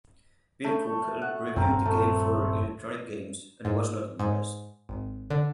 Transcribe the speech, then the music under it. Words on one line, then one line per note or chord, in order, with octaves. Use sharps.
Bill Kunkel reviewed the game for "Electronic Games" and was not impressed.
A3
F#5
D#1 G2 C4 D4 A#4
A3
G#2
G#2
G#1
D3